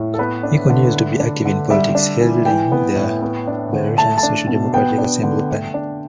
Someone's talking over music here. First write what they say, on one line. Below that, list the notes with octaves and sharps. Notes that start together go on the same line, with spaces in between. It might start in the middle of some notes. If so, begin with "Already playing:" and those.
He continues to be active in politics, heading the Belarusian Social Democratic Assembly party.
Already playing: A2
A4
B3 B4
D4
D3
A3
D4
D3
G3 E5
D4
E3
E3 G5
B3
A2
B3
D4
D3
A3 A5
A5
D4
B2
B3 G5
D4
D3
A3
D4